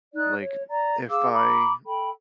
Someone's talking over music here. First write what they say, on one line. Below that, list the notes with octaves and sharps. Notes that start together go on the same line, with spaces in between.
Like, if I
D#4 D5 F#6
C#5
D5 A#5
G#4 F5 D6 E6
A#5 B5 D6
A4 G5 B5